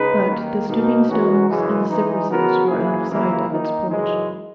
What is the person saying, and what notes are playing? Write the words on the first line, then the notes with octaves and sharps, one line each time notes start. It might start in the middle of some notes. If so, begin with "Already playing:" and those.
But the stooping stones and the cypresses were out of sight of its porch.
Already playing: C#3 G#3 D#4 G#4 B4
D#2 D#3 A#3
B2 A#3 D#4 A#4
E3 G#3 C#4 F#4 A#4
F#2 C#3 E3 G#3
E3 G#3 D#4
C#3 F#3 B3 F#4 A#4
F#2 E3 A#3 E4 G#4
D#2 C#3 E3 A#3 E4
D#3 A#3 D#4
F#2 C#3 E3 G#3